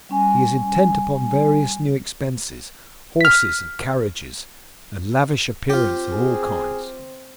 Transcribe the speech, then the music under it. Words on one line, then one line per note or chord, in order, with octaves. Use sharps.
He is intent upon various new expenses,--horses, and carriages, and lavish appearances of all kinds.
G3 C#4 G#5
F6 B6
C4 F4 G4
G#4